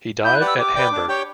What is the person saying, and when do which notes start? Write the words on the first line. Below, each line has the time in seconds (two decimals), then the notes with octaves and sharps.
He died at Hamburg.
0.23 E4 G6
0.35 F#6
0.41 G4 B4 D5 F#5
0.47 E6
0.58 G4 D6
0.75 B4 D5 G5
0.92 D4
1.08 G4 C#5 G5